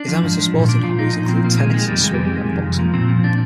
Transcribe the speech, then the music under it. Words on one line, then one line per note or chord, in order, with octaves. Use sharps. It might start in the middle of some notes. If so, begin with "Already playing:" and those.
His amateur sporting hobbies include tennis, swimming and boxing.
Already playing: D4
F3
G#2
F3
A#2
F3 D4
A#2 F4
F3 D#4
A#2 D#4
F3 C4
A#2 A#3
C3 G#3
D#3 G#3
F2 G3
F2 G#3
C3 G3
G#3
D#3
F2
F2
F3 A#3
A#2 C4
F3
A#2 D4